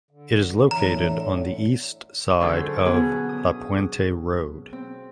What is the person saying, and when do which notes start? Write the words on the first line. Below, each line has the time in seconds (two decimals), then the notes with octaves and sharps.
It is located on the east side of La Puente Rd.
0.11 D3
0.71 A2 D3 E3 A3 C#5 A#5
2.41 D3 F#3 C#4 G#4 A4 C5
2.85 B2 F#3 B3 G#4
3.29 D#6
4.73 C4